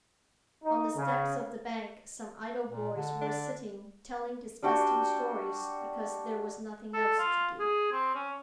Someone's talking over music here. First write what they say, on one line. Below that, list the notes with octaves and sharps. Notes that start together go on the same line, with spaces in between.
On the steps of the bank some idle boys were sitting, telling disgusting stories because there was nothing else to do.
D#4
C#3
A#2
D3
D4
G3 D4 F#4 G5
A4
F4
G#4
C4
C#4